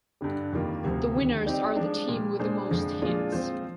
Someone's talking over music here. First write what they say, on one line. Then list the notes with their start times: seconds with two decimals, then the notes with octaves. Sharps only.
The winners are the team with the most hits.
0.21 G2 D3 G3
0.53 F2 D#3 G3 A#3 F4
0.84 D2 C3 F3
1.15 D#2 D3 G3
1.46 G3 C4 D#4 G4 D5
1.76 F3 G#3 D4
2.08 A#2 G3 A#3
2.39 A#2 G#3 D4 G#4 C5
2.70 F2 D3 F3 G#3 D4
3.02 A#2 G#3 D4 F4 G#4
3.32 F3 C4 F4 C5